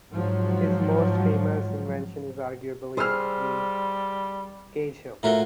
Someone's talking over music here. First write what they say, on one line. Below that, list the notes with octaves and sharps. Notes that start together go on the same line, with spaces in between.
His most famous invention is arguably the "Cage Heel".
G#2 F3 F#3
G3 G#4 C5 C6 E6 F6
A2 F4 F#4 A#4 E5 G7